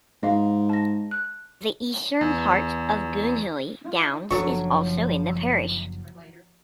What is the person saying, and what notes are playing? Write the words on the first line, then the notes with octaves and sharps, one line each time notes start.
The eastern part of Goonhilly Downs is also in the parish.
G#2 D#5 F5
A5 A#6
F#6
E2
F#1 F3 F#3 C#4 D4 A4 C#6